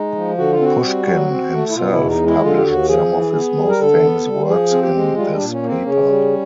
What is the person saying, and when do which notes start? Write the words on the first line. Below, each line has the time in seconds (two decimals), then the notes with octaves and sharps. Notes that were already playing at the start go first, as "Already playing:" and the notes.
Pushkin himself published some of his most famous works in this paper.
Already playing: G#3 D#4
0.15 F3
0.38 D3 F#4
0.52 F4
0.60 C4 F#4
0.84 G3
1.07 F#3
1.30 C4
1.52 A3
1.69 E4
1.75 B2 F4
1.92 E4
1.98 E2
2.09 D#4
2.21 G#3
2.27 E4
2.43 D3 F4
2.57 G4
2.66 D#2 F#4
2.89 F3 G#4
3.11 E3
3.35 B3
3.58 G3
3.70 A#4
3.80 D3 A4
4.02 B3
4.26 G3
4.49 F3 G#4
4.72 C4
4.83 G4
4.94 G#3
5.17 G3 F4
5.34 D4
5.40 A#2
5.52 C#4
5.63 A#3
5.68 C4
5.85 C#3 C#4
6.08 G3